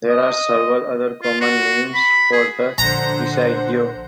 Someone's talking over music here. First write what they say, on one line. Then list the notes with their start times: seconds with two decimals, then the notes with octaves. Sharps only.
There are several other common names for the "passaggio".
0.09 D#5
1.23 F4
1.41 F#4
1.94 B5
2.32 G#4
2.78 A#1 D3 C5 F#5 A#5